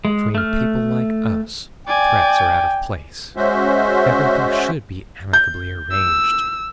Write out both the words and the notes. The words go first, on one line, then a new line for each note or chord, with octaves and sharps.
Between people like us threats are out of place, everything should be amicably arranged.
G#3
A3 F6
D5 G5 G#5
G#3 C#4 F#4 C5 E5
G6
E6